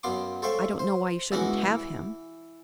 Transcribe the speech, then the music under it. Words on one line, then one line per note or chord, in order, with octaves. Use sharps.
I don't know why you shouldn't have him.
F#2 B3 F5 C6 D6
A4 C5 C#5 E5 F5 G5
C5
C#2 B2 E3 C#4 F#4 F#5
E3